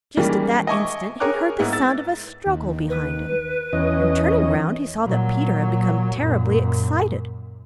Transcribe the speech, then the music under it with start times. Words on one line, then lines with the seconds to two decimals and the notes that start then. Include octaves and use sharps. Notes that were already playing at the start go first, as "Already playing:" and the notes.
Just at that instant he heard the sound of a struggle behind him, and turning round he saw that Peter had become terribly excited.
0.17 D#3 E3 G3 G#3 A#3 C#4
0.67 D#5 E5 G#5 C#6 D6
1.20 G#4 A#4 C#5 G5 D6 F#6
1.60 G#2 B3 E4
1.73 E6 A6
2.46 D#2
2.90 B4
3.73 E2 C#4 D#5
5.03 A#2 F#3
6.18 F#2 A#2